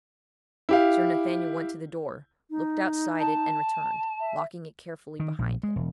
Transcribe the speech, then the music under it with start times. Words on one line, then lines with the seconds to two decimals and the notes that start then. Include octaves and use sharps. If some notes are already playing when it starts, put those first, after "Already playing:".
Sir Nathaniel went to the door, looked outside it and returned, locking it carefully behind him.
0.69 E4 G4 F5
2.50 D#4
3.19 A5
4.20 E5
5.20 D#3
5.39 A#1
5.63 G#3
5.76 E1